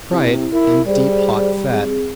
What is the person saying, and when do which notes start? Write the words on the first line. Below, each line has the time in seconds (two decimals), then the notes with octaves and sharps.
Fry in deep hot fat.
0.10 C3 E4
0.52 E4 A#4
0.86 G3 G#4 C5 D5
1.69 C4 G#4